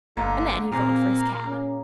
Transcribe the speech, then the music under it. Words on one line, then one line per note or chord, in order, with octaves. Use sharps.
And then he 'phoned for his cab.
G1 D3 A#3
A#2 A#3 C4 G#4
C#4